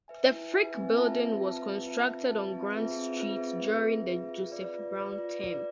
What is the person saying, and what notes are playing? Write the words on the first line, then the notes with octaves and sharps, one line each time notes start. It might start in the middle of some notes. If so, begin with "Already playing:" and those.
The Frick Building was constructed on Grant Street during the Joseph Brown term.
B4 E5 G#5
E4
B4 E5 G#5
C4
F4 B4 E5 A5
C4
F4 B4 E5 A5
C4
F4 B4 E5 A5
C4
F4 B4 E5 A5
C4
F4 G#4 B4 E5
C4
F4 G#4 B4 E5
C4
F4 G#4 B4 E5
C4
F4 G#4 B4 E5
F4
B4 D5
F4
B4 D5
F4
B4 D5